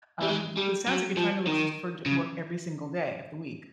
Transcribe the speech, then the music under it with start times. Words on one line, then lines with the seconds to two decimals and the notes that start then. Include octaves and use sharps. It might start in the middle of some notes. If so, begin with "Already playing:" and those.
Um, it sounds like you're trying to look y for ju work every single day of the week.
0.22 G3
0.27 G#3
0.57 G3
0.87 F#3
1.17 F3
1.47 D#3
2.06 C#3